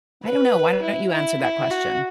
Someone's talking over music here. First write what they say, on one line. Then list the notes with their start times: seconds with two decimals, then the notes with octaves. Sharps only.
I don't know, why don't you answer that question?
0.24 B4
0.83 E4
1.12 E4
1.42 E4
1.71 F#4